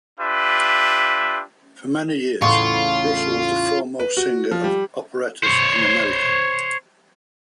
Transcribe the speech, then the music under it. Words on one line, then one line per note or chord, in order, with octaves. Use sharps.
For many years, Russell was the foremost singer of operettas in America.
D4 F4 G4 B4 E5
E2 A2 C#3 F4 C6 C#6
B4
F#4
F3
G3
C5 C#5